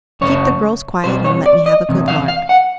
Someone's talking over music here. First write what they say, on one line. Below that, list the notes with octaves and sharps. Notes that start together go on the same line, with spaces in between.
Keep the girls quiet, and let me have a good lark.
F#2 C#3 A3 C#5
B2 G3 C4 F4 C5
C#5
D5
D#5
E2 C3
F5
F5
F#5